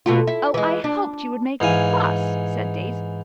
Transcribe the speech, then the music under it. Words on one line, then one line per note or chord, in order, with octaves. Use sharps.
"Oh, I hoped you would make a fuss!" said Daisy.
B2 A3 F4
E4
E3 G#3
D4
G#2 E3 F5 G#5